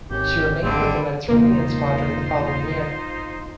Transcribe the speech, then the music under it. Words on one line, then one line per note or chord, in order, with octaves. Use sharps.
She remained with the Mediterranean Squadron the following year.
G#1 C#4 G4
G#1 D3 G3 C4
E1 C#2 A#3 D#4 F4 C5